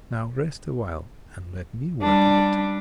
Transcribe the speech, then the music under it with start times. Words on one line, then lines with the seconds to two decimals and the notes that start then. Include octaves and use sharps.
"Now rest awhile-and let me work a bit."
2.02 G3 D4